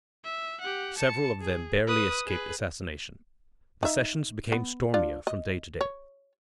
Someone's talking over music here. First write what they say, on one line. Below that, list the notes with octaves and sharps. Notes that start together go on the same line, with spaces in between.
Several of them barely escaped assassination. The sessions became stormier from day to day.
E5
G4 F#5
A5 C#7
G#4
B4 D#6
G#4 B4
D#4 E5
B3
D4 F4
D#5
C#5